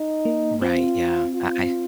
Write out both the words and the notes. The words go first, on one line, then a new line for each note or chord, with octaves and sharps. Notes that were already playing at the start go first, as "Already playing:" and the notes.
Right, yeah, I I
Already playing: D#4
A#3
C4 F4
F4